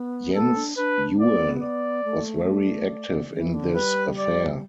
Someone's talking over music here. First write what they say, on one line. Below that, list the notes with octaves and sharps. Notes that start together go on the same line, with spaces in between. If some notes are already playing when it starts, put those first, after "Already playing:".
Jens Juel was very active in this affair.
Already playing: B3
B3 A4
D4
D4 B4
B3 D5
D5
A3
D5
E3
D3
G3 B4
D5